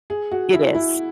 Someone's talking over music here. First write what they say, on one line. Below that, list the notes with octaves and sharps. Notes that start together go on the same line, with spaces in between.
It is.
G#4
F#4
E4
E4